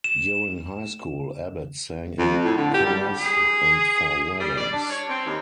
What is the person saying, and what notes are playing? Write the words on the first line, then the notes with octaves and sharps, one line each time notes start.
During High School, Abbot sang in choirs and for weddings.
E7
F2
A2
D3
G4
G3
G#4
G3
D5
D4
C#5
C4
D#2